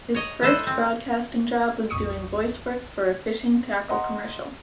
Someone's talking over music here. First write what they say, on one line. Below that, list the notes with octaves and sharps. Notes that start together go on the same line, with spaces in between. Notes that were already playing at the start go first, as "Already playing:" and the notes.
His first broadcasting job was doing voice work for a fishing tackle commercial.
C#5 D#5
G#3 E4 A4 B4 C5
C4
A#1 F2 C#6 D#6 C#7
D#5 F#5 A#5 C6